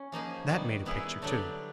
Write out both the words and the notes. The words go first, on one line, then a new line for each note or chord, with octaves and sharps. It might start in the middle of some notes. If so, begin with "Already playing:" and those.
That made a picture, too!
Already playing: C#4
F3 A#3 D#4 G#4
D#3 G3 B3
G3 B3 E4 G#4
D3 F#3 B3 D4 G4